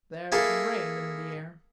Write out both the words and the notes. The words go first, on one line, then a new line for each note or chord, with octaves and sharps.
"There's rain in the air."
A#3 E4 G#4 A4